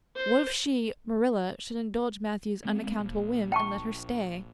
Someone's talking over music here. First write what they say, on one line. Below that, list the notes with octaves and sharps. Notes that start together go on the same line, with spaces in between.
What if she, Marilla, should indulge Matthew's unaccountable whim and let her stay?
C5
G#3 A3 C4
A#1
G5 A5 C#6